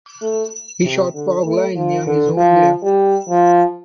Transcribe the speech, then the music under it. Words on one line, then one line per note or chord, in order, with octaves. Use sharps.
He shot "Fog Line" near his home there.
A3
C3
D3
A3
F3
D3
F3
G3
F3